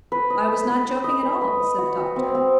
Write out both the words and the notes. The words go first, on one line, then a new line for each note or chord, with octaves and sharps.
"I was not joking at all," said the doctor.
B4
D#5
D#5
B4
B4
D#5
B4
B4
D#5
F#4
F#4
C4
C4